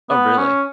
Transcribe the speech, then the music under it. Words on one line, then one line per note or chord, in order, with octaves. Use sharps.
Oh, really?
B3
C#4